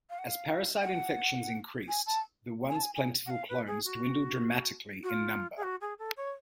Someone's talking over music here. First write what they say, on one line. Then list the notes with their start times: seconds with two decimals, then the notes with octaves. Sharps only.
As parasite infections increased, the once plentiful clones dwindled dramatically in number.
0.10 F5
0.18 F#5
0.27 F5
0.80 F#5
1.88 G#5
2.06 A5
2.69 G#5
2.76 A5
2.83 G#5
2.95 G#5
3.26 F#5
3.30 F5
3.49 B4
3.67 G#4
3.85 F#4
5.03 F#4
5.09 F4
5.57 G#4
5.63 F#4
5.81 G#4
5.98 A4
6.17 C#5